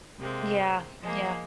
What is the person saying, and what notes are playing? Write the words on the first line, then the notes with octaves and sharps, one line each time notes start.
Yeah, yeah.
C3 G#3 A#3 C4
F3 G#3 A#3